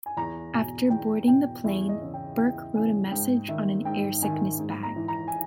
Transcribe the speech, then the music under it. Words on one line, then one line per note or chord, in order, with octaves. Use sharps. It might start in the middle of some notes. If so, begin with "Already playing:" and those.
After boarding the plane, Burke wrote a message on an airsickness bag.
G#5
E2 A#5
B2 G#5
E2 G5
B2 G5
E2 E5
D#5
C#3 E3
G5
E2 G5
C#3 E3 G#5
G#2 G5
D#3 E5
G#2 G5
D#3 G#5
G#2
A#5
E3
A#5
G#5